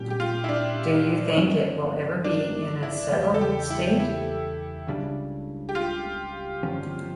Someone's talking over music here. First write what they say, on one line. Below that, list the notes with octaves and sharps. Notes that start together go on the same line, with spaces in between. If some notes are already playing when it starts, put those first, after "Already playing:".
Do you think it will ever be in a settled state?
Already playing: A#2 G3 C#4 G4
G4
F4
E4
D4
G2 F3 C#4
D4
E4
E2 C#3 G3 G4
A4
G4
E4
E4
C#2 C#3 G3 D4
G4
F4
G2 D3 F3 C#4